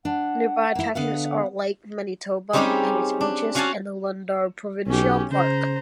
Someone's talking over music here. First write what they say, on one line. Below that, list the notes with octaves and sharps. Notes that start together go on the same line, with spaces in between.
Nearby attractions are Lake Manitoba and its beaches, and the Lundar Provincial Park.
D4 F#5
A#3 E4
D3 B3 F5 F#5
G3 C4 C#4 D#4 G4 G#4
D4
C#4 F#4 F5 F#5 G#5 A5
B1 C#4 G4
C#3 C5 A#5